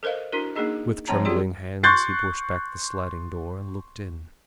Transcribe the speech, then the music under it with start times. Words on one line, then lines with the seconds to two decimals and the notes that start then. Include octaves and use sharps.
With trembling hands he pushed back the sliding door and looked in.
0.03 A4 A#4 C5 D#5 F5
0.33 D4 E4 F#4 A#4
0.55 A#3 D4 D#4 G#4 D#5
1.07 F3 G#3 C4 C#5 A5 A#5
1.25 C4 F4 G4 G#4 D5
1.83 C6 C#6 F#6 G6 A6 C7